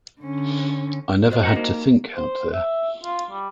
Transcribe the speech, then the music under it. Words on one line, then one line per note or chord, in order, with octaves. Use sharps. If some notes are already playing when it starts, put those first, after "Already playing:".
I never had to think out there.
D3 C#4
F#4 C5 D#5
A3 A#4 F#5
A#3 D#4
C5
E5
F4
G3